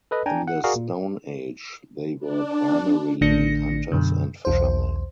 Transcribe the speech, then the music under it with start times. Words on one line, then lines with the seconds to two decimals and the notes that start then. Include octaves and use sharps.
In the stone age, they were primarily hunters and fishermen.
0.11 A4 B4 D#5
0.26 D4 G5 G#5 A#5
0.48 F#5
0.64 F#4 G#4 A#4 D5 F5
0.76 A#2
2.20 D4
3.21 A1 D3 A3 D4 A#6 C#7
3.92 F#2 B2 D3
4.45 B1 E2 C5